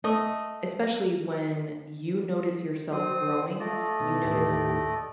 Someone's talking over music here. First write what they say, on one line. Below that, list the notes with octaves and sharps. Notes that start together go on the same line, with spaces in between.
especially when, you notice yourself growing, you notice,
A3 D#5
F#3 C4 C5 D#6
C5
A3 F4 D5 D#5
B2 D#3
D#2 A2 G4